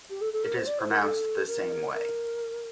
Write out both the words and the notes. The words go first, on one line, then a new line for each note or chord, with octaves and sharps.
It is pronounced the same way.
G4
A4
A4
A#4
C5
D5
C5
A#4
A4
A#4
A#4